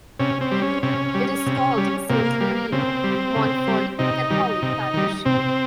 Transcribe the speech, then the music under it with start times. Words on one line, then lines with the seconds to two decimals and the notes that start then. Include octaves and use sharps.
It is called Saint Louis Montfort Catholic parish.
0.19 C3 C#4
0.41 C4
0.51 G3
0.62 C#4
0.83 C3 C#4
1.14 G3
1.46 C3
1.77 G3
2.10 C3 A#3
2.41 G3
2.72 C#3 C4
3.04 G3
3.36 C#3
3.68 G3
3.99 C3 D#4
4.30 D#3 G3
4.62 C3
4.94 D#3 G3
5.26 C3 C4